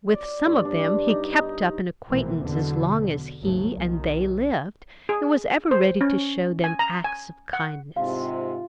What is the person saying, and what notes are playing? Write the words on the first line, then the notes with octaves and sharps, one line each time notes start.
With some of them he kept up an acquaintance as long as he and they lived, and was ever ready to shew them acts of kindness.
D5
G2
D4
D#4
D#4
A#1 B2 E3 G#3 A#3 C4
E2 B2 D3 F#3
G#1 D#2 C#3 F#3 A3
B1 D#3
G#4
C5
C#4
G#5
A#5
G#5
F#5
G#2 C3 F4 F5